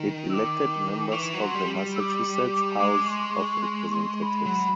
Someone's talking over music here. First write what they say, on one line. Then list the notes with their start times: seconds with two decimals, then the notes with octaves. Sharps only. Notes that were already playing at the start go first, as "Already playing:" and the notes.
It elected members of the Massachusetts House of Representatives.
Already playing: D#3
0.29 E6
0.33 D6
1.12 E3 C#6
1.33 F#3
1.40 C6
1.54 G3
1.75 G3
1.95 E6
1.99 D6
2.79 G#3 D6
3.06 C#6
3.11 C6
3.35 C#6
3.62 C6
3.91 C#6
3.95 C6
4.18 C6
4.22 B5
4.46 F#3